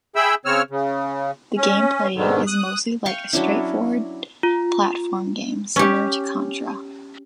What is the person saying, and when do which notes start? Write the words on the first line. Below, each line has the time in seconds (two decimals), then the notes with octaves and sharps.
The gameplay is mostly like a straightforward platform game, similar to "Contra".
0.16 G#4 E5 G5 B5 E6
0.45 C#3 C4 C#5 E6 F6
0.70 C#3
1.57 C#4
2.15 G#2 B2 D3 D#3
2.47 D#6 F#6
3.06 F5 G5 C#6
3.33 F#3 C#4 D4 E4
4.43 F4
5.76 C#4 G4